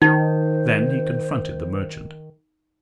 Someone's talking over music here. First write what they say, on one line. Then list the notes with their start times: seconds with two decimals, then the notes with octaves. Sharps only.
Then he confronted the merchant.
0.02 D#3 D#4 C5